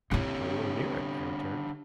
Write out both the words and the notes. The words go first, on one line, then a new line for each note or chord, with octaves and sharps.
"Full, or near it," I returned.
D3 C4 E4 G4 C#5